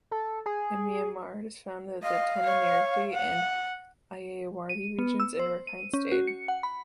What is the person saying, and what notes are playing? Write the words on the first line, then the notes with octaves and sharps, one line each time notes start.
In Myanmar it is found in the Tanintharyi and Ayeyarwady Regions and Rakhine State.
A4
G#4
D#5 F5
C#5
F#5
D#7
B3
E6
C5
D#7
C#4
F#4
C#7
F#5
B5